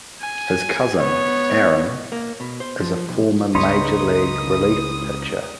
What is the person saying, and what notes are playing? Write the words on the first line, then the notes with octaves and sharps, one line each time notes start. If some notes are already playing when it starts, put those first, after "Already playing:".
His cousin, Aaron, is a former major league relief pitcher.
G#5
B3 C#5
A#3
B2
C5
F3
B1
C#2 C#3 D#4 B4 C#5 C6 D#6